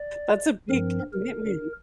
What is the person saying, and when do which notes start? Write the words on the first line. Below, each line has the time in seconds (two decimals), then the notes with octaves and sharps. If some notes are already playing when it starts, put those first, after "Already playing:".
That's a big commitment.
Already playing: D5
0.70 G2 F3 C4 A#4
1.13 A#4